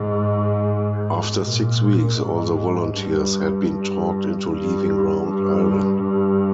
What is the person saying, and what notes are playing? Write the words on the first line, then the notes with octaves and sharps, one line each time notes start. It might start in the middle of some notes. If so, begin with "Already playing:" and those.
After six weeks, all the volunteers had been talked into leaving Round Island.
Already playing: G#2
A#2
G#2
G2
G2
G2
G2
G2